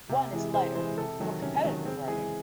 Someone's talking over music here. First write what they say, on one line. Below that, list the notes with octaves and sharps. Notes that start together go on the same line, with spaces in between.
One is lighter, for competitive riding.
C3
E3 G#3
C3 C5
E3 G#3 C5
C3 A4
D#3 F#3
C3 C#4
D#3 F#3
C#3 C4
E3 G#3 G#4